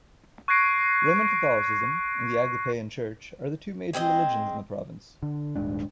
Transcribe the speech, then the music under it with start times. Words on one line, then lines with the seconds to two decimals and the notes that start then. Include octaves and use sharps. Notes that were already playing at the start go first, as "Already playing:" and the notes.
Roman Catholicism and the Aglipayan Church are the two major religions in the province.
0.48 C#6 F#6 G#6 A#6 C7 D7
3.93 G#3 C4 E4 D#5
5.23 D3
5.56 D#1 G#2 D4